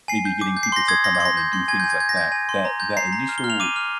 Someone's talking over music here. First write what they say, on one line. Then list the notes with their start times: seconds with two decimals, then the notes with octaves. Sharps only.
maybe getting people to come out and do things like that that that initial
0.08 G#5 C7
0.25 G6
0.41 D6
0.57 G6
0.63 C7
0.72 C6 A#6
0.88 D#6 G#6
1.04 C6 A#6
1.15 G#6
1.20 C6
1.25 A#6
1.37 G6
1.53 C6
1.68 G#5 G#6
1.80 G6
1.84 G#5
1.90 G#6
2.00 G6 G#6
2.09 A#6
2.17 G6 G#6
2.32 G#5
2.49 C6
2.65 A#5
2.80 G6
2.97 A#5 C7
3.13 A#5
3.29 F6
3.38 G7
3.44 F6
3.50 F7
3.60 D6 D#7
3.76 F6